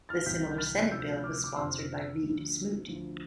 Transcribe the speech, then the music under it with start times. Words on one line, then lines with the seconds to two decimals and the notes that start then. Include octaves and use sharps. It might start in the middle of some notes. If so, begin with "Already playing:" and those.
The similar Senate bill was sponsored by Reed Smoot.
0.09 F6 A6
0.26 C2 C3 E3 G6 B6
0.51 G6
0.58 F6 A6
0.91 D2 C3 F3 E6 G6
1.24 D6 F6
1.44 D6
1.56 F2 C3 F3 C6 E6
2.22 D2 D3 F3
2.86 D2 D3 F3